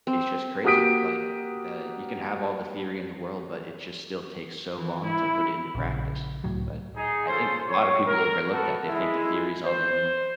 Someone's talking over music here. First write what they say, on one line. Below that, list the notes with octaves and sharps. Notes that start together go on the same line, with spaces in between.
it's just crazy. Like, that you can have all the theory in the world, but it just still takes so long to put it into practice, but I think a lotta people overlook that, they think the theory is all they need.
C4
A#3 F#4 G4 D#6 B6 D7
E3
E4
A#1 C#3
C#2 A2 F#3
D#4 G#4
C#4 F4 G#4 A4 C5
C#5
A#4
B3 F#4 A4
G#3 E4
C5